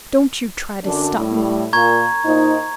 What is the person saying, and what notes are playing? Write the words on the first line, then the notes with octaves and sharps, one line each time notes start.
Don't you try to stop me!
F#2 D3 D4
A2 G3
A#2 A#5 C#6 G#6
A#2 D#4 C5